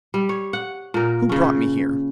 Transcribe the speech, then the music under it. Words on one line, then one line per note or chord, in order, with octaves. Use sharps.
Who brought me here?
G3
C#5
F#5
A#2 A#4
C#3 C#4